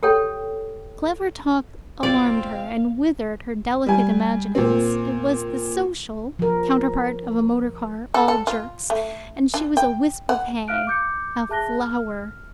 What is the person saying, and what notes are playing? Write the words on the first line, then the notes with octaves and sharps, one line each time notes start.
Clever talk alarmed her, and withered her delicate imaginings; it was the social; counterpart of a motorcar, all jerks, and she was a wisp of hay, a flower.
G4 A4 C#5 G5
F2 B2 C4 D5 F5
G3 G#5
A#2 C4
F3 A#4
A4
A4
F4
A3
D4
G5
F#5
E5 F5 F6 F#6 D7
D6 G6 C#7
G#4 E5 A5 F#6 A#6 G7
F6